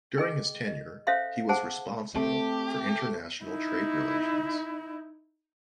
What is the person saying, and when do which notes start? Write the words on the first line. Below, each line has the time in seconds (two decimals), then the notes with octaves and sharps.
During his tenure, he was responsible for international trade relations.
0.18 G#4 D#5 G5
0.67 D#5
1.07 C#4 A4 C5 E5 F5 C6
1.49 G#4 C5 F#5 A5
2.15 A3 C4 G4
3.45 D#4 E4